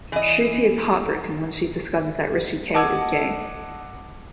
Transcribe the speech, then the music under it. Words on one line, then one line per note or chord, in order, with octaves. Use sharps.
Shruti is heartbroken when she discovers that Rishi K is gay.
E3 D#5
D#5 F#5 A5 D6 E6 G#6